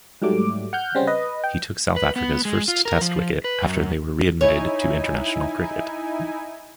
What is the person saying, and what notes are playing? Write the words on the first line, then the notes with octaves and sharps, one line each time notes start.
He took South Africa's first Test wicket after they were re-admitted to international cricket.
G#2 F#3 G3 A3 D6
F#5 F6 G6
C#3 G3 C4 C#4 C5
B4 D#5
G5
B4
B3
G#3
F4
A#4
F3
B4
F#2
D#4 E4 C#5 G#5